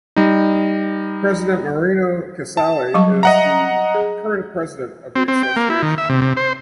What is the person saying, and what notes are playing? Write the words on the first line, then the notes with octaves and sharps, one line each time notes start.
President Marino Casali is the current president of the association.
G3 D#4
A5
F#3 G3 C#6
D#5 E5 F#5 A#5
G#4
C4
C4
G5
A#3
E4
D#3
E5
C3
C3
C5